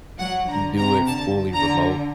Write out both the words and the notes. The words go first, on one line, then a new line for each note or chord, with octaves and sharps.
do it fully remote.
F#3 F#5
D3 A#5
C3 A#5
D3 A5
D3 A#5